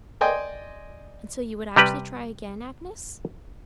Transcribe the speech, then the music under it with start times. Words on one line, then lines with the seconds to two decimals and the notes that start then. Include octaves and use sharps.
'And so you would actually try again, Agnes?'
0.21 D5 D#5 G5 G#5 C6
1.76 C3 G3 G4 B4